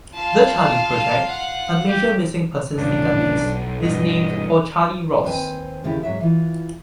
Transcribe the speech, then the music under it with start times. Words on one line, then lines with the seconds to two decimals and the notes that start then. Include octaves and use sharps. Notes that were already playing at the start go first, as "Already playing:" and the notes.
The Charley Project, a major missing persons database, is named for Charley Ross.
0.14 F4 F5 A5
1.27 F#5
1.88 G4
2.78 D#1 A1 C#3 D4
3.39 B1
3.82 G2 B2 E3 D#5
5.23 D#2 C4 B4 C5 G#5
5.84 D#2 C#3 E4 G4
6.03 G#2 F#3 E5
6.21 E3 F4